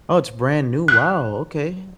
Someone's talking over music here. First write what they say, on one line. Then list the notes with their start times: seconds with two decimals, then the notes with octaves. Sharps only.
Oh, it's brand new, wow, okay.
0.88 F#6